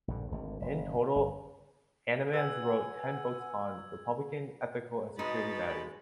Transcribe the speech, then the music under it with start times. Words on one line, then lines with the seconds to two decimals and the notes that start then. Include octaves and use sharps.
In total, Annemans wrote ten books on republican, ethical and security matters.
0.08 A#1 G2 D3
0.28 G#1 D2
0.61 F#1
1.16 G1
2.34 B4 F#5 G#5 E6 G#6
5.19 B2 G#3 D#4 B5 A6